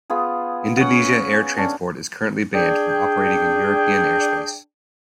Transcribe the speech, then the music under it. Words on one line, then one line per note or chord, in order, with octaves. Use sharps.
Indonesia Air Transport is currently banned from operating in European airspace.
B3 F4 G#4
C#4 F#5
G#5
C#4 D4
D4 G#4 G5